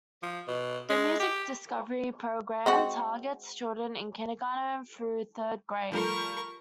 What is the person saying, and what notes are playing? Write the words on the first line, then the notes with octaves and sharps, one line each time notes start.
The Music Discovery program targets children in kindergarten through third grade.
F3
B2
G#3
G4
G#3 C4 F#4
F3 G3 A3 A#4 C#6